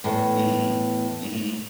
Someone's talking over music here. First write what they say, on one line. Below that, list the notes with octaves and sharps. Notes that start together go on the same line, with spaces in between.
Mhm, mhm.
E2 A2